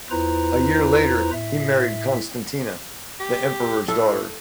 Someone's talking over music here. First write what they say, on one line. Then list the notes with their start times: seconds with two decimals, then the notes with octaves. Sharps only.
A year later, he married Constantina, the Emperor's daughter.
0.11 E2 E4 F4 B4 C5 A#5
1.32 A2 E5
3.20 G4
3.88 A2 A4